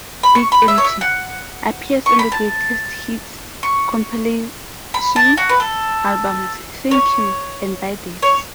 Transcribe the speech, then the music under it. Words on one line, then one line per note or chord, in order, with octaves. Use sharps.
"Big Empty" appears on the greatest hits compilation albums "Thank You" and "Buy This".
B5
C#6
B5
E5
C#5
E5
F#5
C#6
B5
A5
C#6
B5
A5
F#4
B4
A4
C#5
C#5